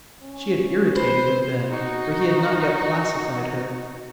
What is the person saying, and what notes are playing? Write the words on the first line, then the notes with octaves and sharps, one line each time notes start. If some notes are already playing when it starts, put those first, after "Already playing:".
She had irritated him then, for he had not yet classified her.
C#4
B4 C5
D#4 F#4